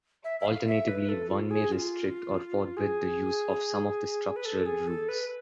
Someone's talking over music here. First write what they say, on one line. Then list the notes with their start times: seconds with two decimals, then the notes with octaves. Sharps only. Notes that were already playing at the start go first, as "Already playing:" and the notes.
Alternatively, one may restrict or forbid the use of some of the structural rules.
0.24 E5
0.40 E5
0.46 F5
0.67 E5
0.88 B4
1.09 A4
1.29 F4
1.51 G#4
1.72 F4
2.77 G#4
4.36 B4
4.45 A4
4.66 G#4
4.87 A4
5.09 B4